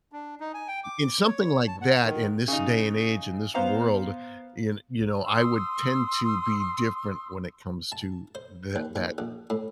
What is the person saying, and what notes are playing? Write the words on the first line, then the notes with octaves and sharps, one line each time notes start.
in something like that, in this day and age, in this world, you kn you know, I would tend to be different when it comes to tha that.
D4
D#4
G#5
G5
D6
C#5
A5
F#5
D#3
C#3 D#4
B3 C5 F5 A#5
C6 D#6 E6
A5
C5
D#2
D#2
A#1
A2